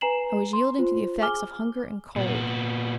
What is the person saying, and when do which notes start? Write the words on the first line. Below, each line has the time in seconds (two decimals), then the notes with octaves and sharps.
I was yielding to the effects of hunger and cold.
0.01 B4 G#5 A#5 C7 E7 F#7
0.53 C6
0.79 F4 C5
1.21 G#4 G#5 D6 F6 G7
2.16 A#2 B3